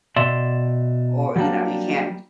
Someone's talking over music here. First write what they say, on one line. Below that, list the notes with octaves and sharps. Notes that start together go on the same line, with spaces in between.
or, you know, you can't
B2 D5 E5 C6
F#3 G3 A3 A#3 D4